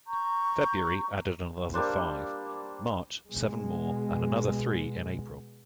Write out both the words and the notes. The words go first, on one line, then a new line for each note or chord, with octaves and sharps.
February added another five, March seven more, and another three in April.
A#5 C#6 G6
G3 A#3 D4 C5
B2 G#3